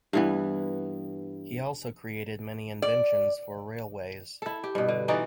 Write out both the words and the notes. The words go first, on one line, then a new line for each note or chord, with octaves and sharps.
He also created many inventions for railways.
G2 E3 B3
D5
E4 A4
G4
G2 B2
D3
E3 D#4 F#4 D5